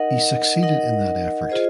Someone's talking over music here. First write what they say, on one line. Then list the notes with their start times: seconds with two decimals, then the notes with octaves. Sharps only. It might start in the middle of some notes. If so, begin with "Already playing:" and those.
He succeeded in that effort.
Already playing: D#4 A#4 D#5 F#5
0.63 D#4 A#4 D#5 F#5
1.50 F4 G#4 C5 D#5